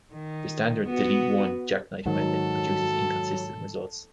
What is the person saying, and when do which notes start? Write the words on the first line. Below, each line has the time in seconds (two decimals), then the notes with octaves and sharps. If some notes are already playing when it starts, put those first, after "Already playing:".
The standard 'delete one' jackknife method produces inconsistent results.
0.13 D#3
0.86 B3 F#4 B4
2.06 G#2 D#3 F#3 A4